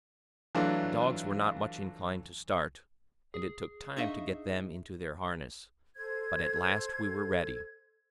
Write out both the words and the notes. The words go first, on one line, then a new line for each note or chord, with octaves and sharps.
The dogs were not much inclined to start, and it took time to get them into their harness, but at last we were ready.
E3 F#3 A3 D4 F4
G#4
D4 D#4 E5 F5 C#6
A4 C5 G#6